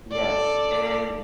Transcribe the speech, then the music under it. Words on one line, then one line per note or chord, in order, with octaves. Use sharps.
Yes, and
A4 D5